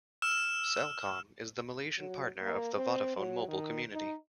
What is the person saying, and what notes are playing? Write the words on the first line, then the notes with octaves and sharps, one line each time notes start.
Celcom is the Malaysian partner of the Vodafone mobile community.
E6 F6 E7
F#3
A#3
C4
F#3
D#3
D#4